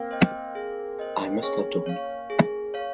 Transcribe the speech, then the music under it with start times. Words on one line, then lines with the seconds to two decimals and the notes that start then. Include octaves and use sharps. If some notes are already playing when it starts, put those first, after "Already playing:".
I must have done.
Already playing: A#3 C4
0.11 C5 D#5 G5
0.55 G#4
0.99 C5 D#5 G5
1.42 C#4 G#4
1.86 C#5 F5
2.30 G#4
2.74 C#5 F5